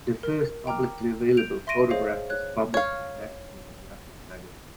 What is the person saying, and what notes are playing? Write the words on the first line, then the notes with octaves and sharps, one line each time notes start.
The first publicly available photograph was published in "National Geographic" magazine.
A#4
G5 A#5 D6 F6
G6 D7 F7
E5 C6 C#6 A#6 D7 D#7
G#4 C5 C#5 D#5 F5
C#5 F#6
C#5 F5